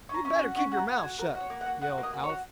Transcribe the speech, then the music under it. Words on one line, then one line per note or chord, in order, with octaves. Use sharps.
"You better keep your mouth shut," yelled Alf.
C#4
A#5
C#4
G#5
F#4
C#4 F#5
F#4
A#5
F#4
G#5
F#4
F#4 A#4
F#4
C#5
A#3
F#5
F#4
F#4 F#5
A#3
D#5
F#4
C#5
F#4